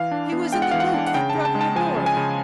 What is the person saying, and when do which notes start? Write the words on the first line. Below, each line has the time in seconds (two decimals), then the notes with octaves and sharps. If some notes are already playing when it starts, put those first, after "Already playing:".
"He was in the boat that brought me aboard."
Already playing: E3 F5
0.11 D4
0.32 B3
0.53 G#3 G5
0.62 F#5
0.71 E3 F5
0.80 F#5
0.94 D4
1.07 F#5
1.14 C#3 G5
1.30 A5
1.35 C#3
1.45 A5
1.55 G#3
1.61 A5
1.76 F3 G#5
1.96 C#3
2.06 G#5
2.17 C#3